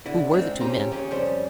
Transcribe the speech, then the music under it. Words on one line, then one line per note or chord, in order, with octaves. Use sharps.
"Who were the two men?"
D3 E4
G#2 C4 D4
C4 C#4 G4 A#5
D#2 C#4 G4
F2 G3 C5